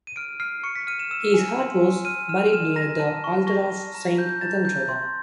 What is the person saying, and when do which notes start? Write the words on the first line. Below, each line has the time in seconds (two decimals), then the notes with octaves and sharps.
His heart was buried near the altar of Saint Etheldreda.
0.07 D#7
0.16 F6 D7
0.40 F6 C7
0.63 C#6 C#7
0.75 B6
0.87 F6 D#7
0.99 E7
1.11 E6 E7
1.34 G#5
1.58 C6
1.81 G#5
2.05 F6 D#7
2.29 F6 E7
2.53 F6 E7
2.76 A#5 A#6
3.00 A5
3.24 C#6
3.47 C#6 A#6
3.71 C#6
3.94 A#5
4.18 G6
4.41 A#5 A6
4.65 G6
4.89 C6